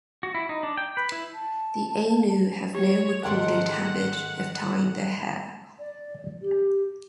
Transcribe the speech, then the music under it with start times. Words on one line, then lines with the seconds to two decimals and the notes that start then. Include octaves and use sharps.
The Ainu have no recorded habit of tying their hair.
0.23 F#4
0.35 E4
0.49 D#4
0.63 D4
0.77 G5
0.97 B4
1.12 E4
1.34 A5
2.75 G4 C#5
3.24 G#2 D#3 A3 A#4 F#5 G5 C6
5.79 D5
6.42 G4